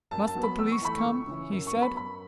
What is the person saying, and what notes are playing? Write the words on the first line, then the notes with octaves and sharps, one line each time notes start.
"Must the police come?" he said.
F#2 A5
A5
F#3 B3
B5
E2 E6
C#6
E3 A3 B5
C#6
C#2
C#3 E3
F#2
C#6
F#3 B3
B5
F#2 B5